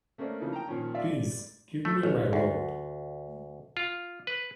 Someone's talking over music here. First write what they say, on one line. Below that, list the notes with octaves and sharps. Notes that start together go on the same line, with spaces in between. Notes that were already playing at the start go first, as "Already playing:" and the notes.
Please give me my robe.
A3 A#3 C4 C#4 D5
C#3 E3 F3 A#3 C#4 D#4
G5 A5 A#5
A#2 D#3 F3 C#4
F4 D5 E5 F5
D5
A3
A1
D2
F4
B4